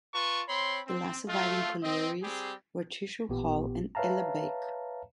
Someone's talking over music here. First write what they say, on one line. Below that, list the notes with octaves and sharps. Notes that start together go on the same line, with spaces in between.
The last surviving collieries were Chisnall Hall and Ellerbeck.
F4 B4 A5 C#6
C4 C#5 B5 C6
C4
A3 F4
C4 D#5
G3 C4 G4 G#4
A1 A#2 B3 G4
B4 C#5 E5 F5 A5 A#5